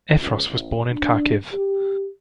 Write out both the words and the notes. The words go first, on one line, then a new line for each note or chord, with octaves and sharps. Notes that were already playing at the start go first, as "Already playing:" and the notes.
Efros was born in Kharkiv.
C#2
A1
D4
G4